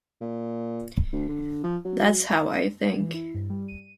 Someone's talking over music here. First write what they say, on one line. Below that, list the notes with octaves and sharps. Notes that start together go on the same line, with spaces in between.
That's how I think.
A#2
D2
D3
F3
F#3
E3
E4
G2
G3
D#7